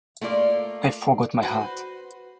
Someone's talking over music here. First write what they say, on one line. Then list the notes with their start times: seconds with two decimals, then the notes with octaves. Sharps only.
I forgot my hat.
0.21 A3 A#3 F4 D5
1.42 F#4 B4 C5